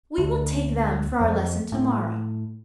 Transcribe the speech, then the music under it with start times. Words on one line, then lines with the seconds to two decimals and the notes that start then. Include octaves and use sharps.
We will take them for our lesson to-morrow.
0.18 D2
1.20 F2
1.72 A2